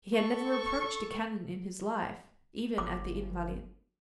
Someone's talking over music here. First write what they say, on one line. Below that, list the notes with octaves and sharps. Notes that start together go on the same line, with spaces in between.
He had never approached a cannon in his life, even at the Invalides.
A4 C#6
G1 D6